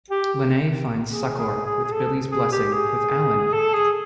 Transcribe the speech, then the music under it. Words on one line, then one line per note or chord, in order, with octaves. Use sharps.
Linet finds succor, with Billy's blessing, with Alan.
G4
G#4
G#4
G#4
G#4
A4
G#4
G4
G#4
A4
G#4